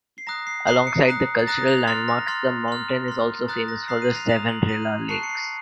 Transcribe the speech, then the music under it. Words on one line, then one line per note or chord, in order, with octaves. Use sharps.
Alongside the cultural landmarks the mountain is also famous for the Seven Rila Lakes.
C7
A#5 D#6 F#6 A#6
C7
A#5 D#6 F#6 C7
C#7
A#5 D#6 F#6
A6
A#5 D#6 F#6 A#6
F7
C6 F6 A6
A#6
C6 F6 A6
C6 F6
C6 F6
A#5 D#6 F#6 A6
A#6
A#5 D#6 F#6 C7
D#7
F7
A#5 D#6 F#6 F7
F#7
A#5 D#6 F#6 D#7
D#7
A5 C#6 F#6 C7
C#7
C7